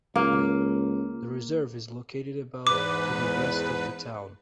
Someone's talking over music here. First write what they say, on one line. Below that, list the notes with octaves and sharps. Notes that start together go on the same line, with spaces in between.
The reserve is located about to the west of the town.
C#2 A#3
E2 G#2 B4 D6